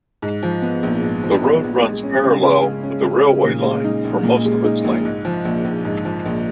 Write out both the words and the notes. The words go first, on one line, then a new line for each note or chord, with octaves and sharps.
The road runs parallel with the railway line for most of its length.
G#2
F3
B3
A#1
G#2
F3
B3
A#1
G#3
C#4
C#3
C#3
G#3
C#4
C#3
C#3
A#2
G#3
D#4
A#1
A#2
G#3
D#4
A#1
G#2
F3
A#1
A#1
G#2
F3
A#1